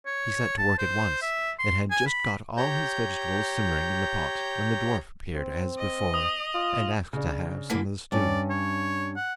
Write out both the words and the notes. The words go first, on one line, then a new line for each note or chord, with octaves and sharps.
He set to work at once, and had just got all his vegetables simmering in the pot when the dwarf appeared as before, and asked to have some of the stew.
C#5
A5
C5
E5
C6
G#5
B5
G4 C#5 A#5 G6
C4
D#5
D#6 F7
F4
C#3 D4
D3 E3 A#3 B6
G2 C#4 D5
C#5
F#5